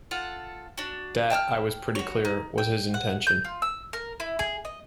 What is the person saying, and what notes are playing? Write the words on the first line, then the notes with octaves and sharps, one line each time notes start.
That, I was pretty clear, was his intention.
F4 A4 F#5
D4 F#4
G5 A5 D6 F6
F#4 C#5
D#4
G5
F#5
G6
F4
E6
A#4
E4
G#4
D#5